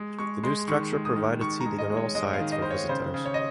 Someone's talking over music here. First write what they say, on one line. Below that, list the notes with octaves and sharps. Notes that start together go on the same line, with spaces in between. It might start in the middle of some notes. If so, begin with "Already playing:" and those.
The new structure provided seating on all sides for visitors.
Already playing: G#3
G#3 C#6
G#3 C6
D#3 C#6
G#3
D#6
D#3
D#3 C#6
A#5
G#3
D#5
G#3
C#5
G#3 D#5
F5
D#3
D#5
D#3 C5
C#5
C#3 C5
C#3
C#5
D#5